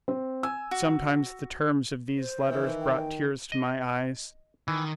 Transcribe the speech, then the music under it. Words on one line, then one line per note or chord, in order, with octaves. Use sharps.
Sometimes the terms of these letters brought tears to my eyes.
C4
G#5 E6
F#4
C5
D#3 E3
G5
D#5
D#3 E3